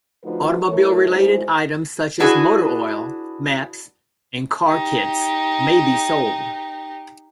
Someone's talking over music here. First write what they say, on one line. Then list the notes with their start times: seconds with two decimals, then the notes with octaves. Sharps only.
Automobile-related items such as motor oil, maps and car kits may be sold.
0.24 D3 F3 A3 D#4 F#4 B4
0.68 A3 E4 A4 A#4 C#5
1.08 D2 G#3 D#4 E4 C5
2.20 D4 E4 F#4 G#4 B4
4.64 D#4 G4